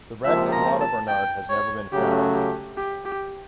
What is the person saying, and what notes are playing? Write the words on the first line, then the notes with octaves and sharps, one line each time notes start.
The wreck of "Lotta Bernard" has never been found.
C#2 C3 F3 A#3 E5
A#5
A5
G5
C#5
C#3 F#3 A3 C#4 G4
G4
G4
G4